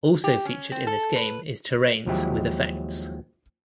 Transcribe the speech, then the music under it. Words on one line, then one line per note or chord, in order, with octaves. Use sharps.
Also featured in this game is terrains with effects.
G4
C#4
C4
A4
B4
D#2 F3 F#3 G#3 E4 G4